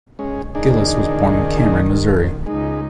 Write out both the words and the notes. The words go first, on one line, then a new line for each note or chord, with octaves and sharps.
Gillis was born in Cameron, Missouri.
G#3 C#4
C#2 D#3 D4 D#4 G#4
C#2 G#3 D#4